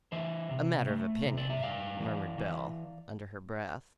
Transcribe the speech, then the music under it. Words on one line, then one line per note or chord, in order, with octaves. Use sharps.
"A matter of opinion," murmured Belle under her breath.
E3 C5 E5
C3
A3
C3
D5
E5
G2 D5 F5
E3
E3